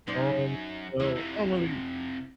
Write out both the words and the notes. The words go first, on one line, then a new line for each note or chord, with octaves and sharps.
Um, so, I don't really
F#2 D#4 C5 D5
E3 G#3 E4
F2 C3